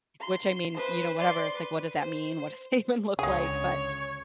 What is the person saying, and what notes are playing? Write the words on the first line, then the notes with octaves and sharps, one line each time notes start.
Which I mean, you know, whatever, it's like, "What does that mean? What does it even look like?" But,
C6
B4 C5
D5 C6
B4
C5
C#2 D3 G#3 G#4 C#5